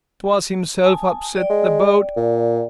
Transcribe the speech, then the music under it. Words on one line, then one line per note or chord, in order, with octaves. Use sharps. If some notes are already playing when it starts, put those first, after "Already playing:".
'Twas himself upset the boat.
G#5 A5 D#6
D5 G5
G#3
A#2